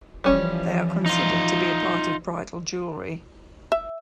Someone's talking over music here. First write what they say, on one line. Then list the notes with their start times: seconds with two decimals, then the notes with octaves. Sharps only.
They are considered to be a part of bridal jewellery.
0.24 E3 F3 G3 C#4
1.06 D#4 F4
3.72 E5